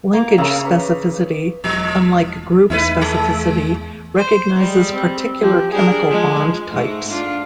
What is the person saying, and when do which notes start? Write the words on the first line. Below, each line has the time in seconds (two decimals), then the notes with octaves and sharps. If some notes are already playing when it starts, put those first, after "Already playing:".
Linkage specificity, unlike group specificity, recognizes particular chemical bond types.
0.13 A#3
0.38 C#3 C#4 A#4 E5 F5 E6
0.65 B4 D6
1.64 E1 F3
2.70 E2 A3 D#4 E4 B4
3.01 G#3
4.16 C5
4.59 G3 G#3
4.93 C4
5.40 F3 G4
5.72 G3 D4 G#4 A#4
6.06 F3 G#3
6.70 G#2 G#3 A3
7.11 D4 F4